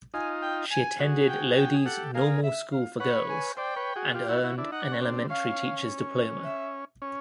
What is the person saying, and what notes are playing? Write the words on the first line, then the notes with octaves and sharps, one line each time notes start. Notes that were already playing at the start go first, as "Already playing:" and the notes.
She attended Lodi's Normal School for Girls and earned an elementary teacher's diploma.
D#4 F4 G#5
G5
G#5
F#4 G#4
G5
G5
G#4
G4 A4 F#5
G#4 A#4 F5
E5
F5
B4 C#5 F#5
G#5
C5 D5 G5
B4 C#5
F#4 G#4
F4 G4
E4 F#4
E4 F#4
D4 E4
D#4 F#5
D4
C#4
C4 D4
C#4 F5
E5
C#4